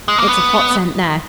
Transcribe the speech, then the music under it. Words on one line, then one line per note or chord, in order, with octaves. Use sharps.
It's a hot scent there.
G#3
A#3
B3